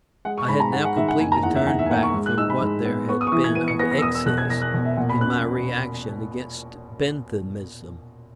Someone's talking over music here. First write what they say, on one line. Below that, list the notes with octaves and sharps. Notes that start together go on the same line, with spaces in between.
I had now completely turned back from what there had been of excess in my reaction against Benthamism.
G#3 F#5
C#6
G#2 B5
A#5
G#2 F#5
F#5
D#3 E5
F#5
F#1 G#5
A#5
E2 F#5
E5
D#3 F#5
E5
G#5
A#3 F#5
C#6
G#2
F#6
D#4 E6
B5
G#2
B3
B3 C#6
D#6
C#6
E3 D#6
G#6
B3 D#7
C#7
B3 A#6
A#6
E6
E1 D#6
E6
B2 F#6
G#6
E1 A#6
F#6
B2
E5
A#2 F#5
B5
C#4 F#6